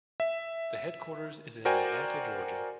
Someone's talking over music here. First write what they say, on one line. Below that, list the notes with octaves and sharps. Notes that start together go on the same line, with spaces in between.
The headquarters is in Atlanta, Georgia.
E5
F#4 A#4 C5 D5 G5 G#5